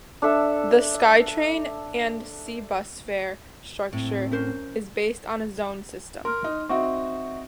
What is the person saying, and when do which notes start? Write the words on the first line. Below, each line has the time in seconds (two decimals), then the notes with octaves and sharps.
The SkyTrain and SeaBus fare structure is based on a zone system.
0.22 D4 A4 E5
3.93 A2 C4
4.31 C#4 A#4 C5
6.25 A#4 C6 F6
6.44 D#4
6.69 C4 D#4 F#4 E5 C#6